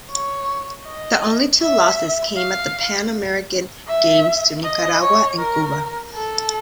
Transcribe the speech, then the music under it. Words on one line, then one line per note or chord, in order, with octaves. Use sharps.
The only two losses came at the Pan American Games to Nicaragua and Cuba.
C#5
D#5
E5
F5
E5
D#5
C#5
A#4
A4